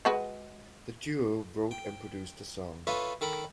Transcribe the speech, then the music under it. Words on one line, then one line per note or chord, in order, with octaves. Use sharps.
The duo wrote and produced the song.
G#3 F#4 B4
G5
F4 A4 B4 C#5 D#5 E5
D#3 A4 A#4 B5